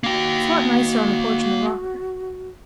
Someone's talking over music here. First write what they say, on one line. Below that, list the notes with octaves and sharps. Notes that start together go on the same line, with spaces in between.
It's a lot nicer on the porch in the rocker.
A#3 F#4 G5